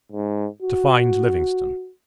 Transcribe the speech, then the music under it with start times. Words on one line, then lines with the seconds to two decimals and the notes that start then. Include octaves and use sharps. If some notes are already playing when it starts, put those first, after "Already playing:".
"To find Livingstone."
0.12 G#2
0.62 F#4